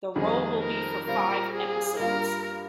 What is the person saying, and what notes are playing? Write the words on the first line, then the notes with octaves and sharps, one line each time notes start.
The role will be for five episodes.
F2 D#3 G3 C4 D#4 G#4
A#4
A#2 G3 C4 F4 A#4
G#4
G2 G3 A#3 F4 A#4